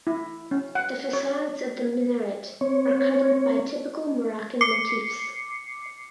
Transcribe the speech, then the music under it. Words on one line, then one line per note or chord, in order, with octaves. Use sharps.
The facades of the minaret are covered by typical Moroccan motifs.
E4
C#4
F#5
C#5
C4 C#5
D6 C7 C#7